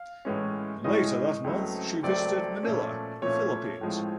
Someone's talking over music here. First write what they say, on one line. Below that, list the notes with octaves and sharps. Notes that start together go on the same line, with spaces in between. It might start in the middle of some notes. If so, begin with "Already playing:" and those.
Later that month she visited Manila, Philippines.
Already playing: F5
A2 E3 G#3 C#4
A2 E3 G#3 C#4 D#5
C#2 C#3 F#3 A3 C4
C#2 C#3 F#3 A3 C4 D5
A#2 F3 A3 C#4
A#2 F3 A3 C#4 C#5
A2 F3 G#3 C4